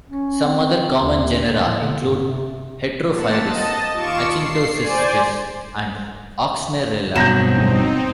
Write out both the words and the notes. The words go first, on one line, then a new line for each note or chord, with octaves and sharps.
Some other common genera include "Heterophrys", "Actinocystis", and "Oxnerella".
C#4
C4
D#2
A2
D3
G2
C3
A#3 C4 F#5 A5 A6
D#5 A5
D#2 F4 C#6 D6 C#7 E7
C7
C5 D5 G#5
G2 B2 F#3 C4 D#4 G6 A#6 E7